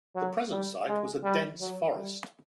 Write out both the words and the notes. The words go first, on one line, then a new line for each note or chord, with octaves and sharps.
The present site was a dense forest.
F#3
G3
G#3
G3
F#3
G3